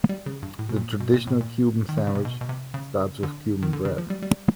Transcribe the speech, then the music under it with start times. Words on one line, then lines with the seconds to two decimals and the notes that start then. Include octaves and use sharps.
The traditional Cuban sandwich starts with Cuban bread.
0.09 G3
0.26 C#3
0.43 G2
0.59 A2
0.69 B2
0.76 A#2
1.00 B2
1.14 A#2
1.27 A2
1.41 A#2
1.89 D#3
1.98 D3
2.07 C#3
2.15 C3
2.25 B2
2.41 B2
2.49 C3
2.74 C#3
3.23 D3
3.62 D#3
3.73 D3
3.85 C#3
3.98 F3
4.10 G3
4.22 G3